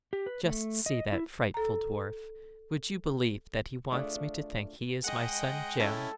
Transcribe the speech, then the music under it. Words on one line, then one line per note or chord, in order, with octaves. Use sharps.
'Just see that frightful dwarf--would you believe that he wants me to think he is my son Jem?'
G4
B4
A3
D#5
E4
A4 A#5
A3 D4 F4 G#4
G#3 D#5 F#5 G5
C#4 E4 A4